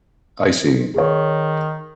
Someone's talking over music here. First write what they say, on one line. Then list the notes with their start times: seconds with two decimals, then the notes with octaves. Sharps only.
I see.
0.94 D#3 G#4 C#5